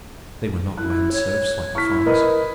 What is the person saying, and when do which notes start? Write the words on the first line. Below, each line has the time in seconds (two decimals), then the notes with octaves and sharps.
They were not land serfs like the farmers.
0.78 E4 F#6
1.12 C#5
1.75 E4 C#6 F6 B6
2.06 A#4 B4 D#5